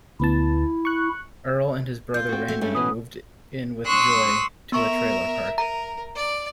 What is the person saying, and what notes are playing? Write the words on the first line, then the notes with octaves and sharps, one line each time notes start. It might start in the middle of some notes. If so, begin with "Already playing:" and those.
Earl and his brother Randy moved in with Joy to a trailer park.
D2 B3 E4 A5
C#6 F#6
F4 G6
C4 F#4
A3
G2 G3 A3 C#4
B2 E3 B4 D#6
C6 C#6 D#6 E6 F#6
B3 A#4 E5 C#6
A#4 A#5
D5